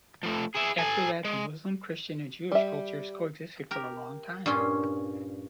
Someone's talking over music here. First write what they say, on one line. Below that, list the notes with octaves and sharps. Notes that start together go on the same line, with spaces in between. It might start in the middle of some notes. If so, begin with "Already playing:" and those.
After that, the Muslim, Christian and Jewish cultures coexisted for a long time.
F3 A3
E4 G#4
A4 G#5
G#3
G3 E5
G4 A#4
G2 A#2 C#4 C6